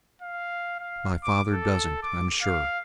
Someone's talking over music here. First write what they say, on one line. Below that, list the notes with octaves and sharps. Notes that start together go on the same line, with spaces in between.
My father doesn't, I'm sure.
F5
F5
D6
A4
D6
F5